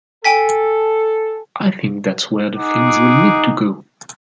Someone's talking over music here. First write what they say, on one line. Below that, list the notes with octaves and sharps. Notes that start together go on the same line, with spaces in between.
I think that's where the films will need to go.
A4 G5 G#5 B6
D#4 G#4 F#5 D6